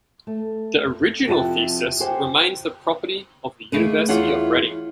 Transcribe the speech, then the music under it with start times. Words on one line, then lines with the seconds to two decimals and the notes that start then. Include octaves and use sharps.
The original thesis remains the property of the University of Reading.
0.27 A3
1.28 F2 C3 E4 G4 F#5 A5
2.00 G4 G#4 C5 F#5 G5
3.72 D#2 A3 G#4 B4
4.09 E2 E3 F4 G#4 C#5 F#5